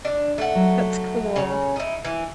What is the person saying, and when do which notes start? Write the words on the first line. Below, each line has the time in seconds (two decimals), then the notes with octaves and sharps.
That's cool.
0.05 D4
0.38 A3 F#5
0.55 F#3
1.36 C#3 C#5
1.76 D#4 E4
2.05 E3